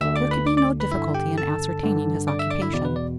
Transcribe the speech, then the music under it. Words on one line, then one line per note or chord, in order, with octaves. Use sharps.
There could be no difficulty in ascertaining his occupation.
D2 D3 E5 E6
D5 D6
B4 B5
D5 D6
D5 D6
B4 B5
G2 D3 E4 E5
G4 G5
A4 A5
G2 D3
D5 D6
E5 E6
D5 D6
E4 E5
E2 B2 D5
B4
D5